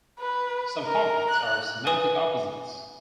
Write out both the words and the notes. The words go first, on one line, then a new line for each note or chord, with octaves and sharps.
Some cognates are semantic opposites.
B4
A#4
F#6
B4 G#5 D#6